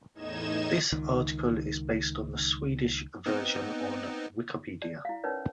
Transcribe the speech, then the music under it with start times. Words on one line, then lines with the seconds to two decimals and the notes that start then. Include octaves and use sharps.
This article is based on the Swedish version on Wikipedia.
0.14 E2 A2 D#4 D#5 G#6 E7
0.92 C#2 D#3
3.26 B3 C4 D#4
4.82 D5
5.05 E4 F5
5.24 C#4 D#4 A#4 B4 C#5 D5